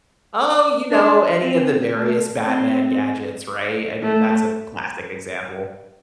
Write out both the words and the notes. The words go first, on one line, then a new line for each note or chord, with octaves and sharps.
Oh, you know, any of the various Batman gadgets, right? I mean, that's a classic example.
D4
C4
A3
C4
A3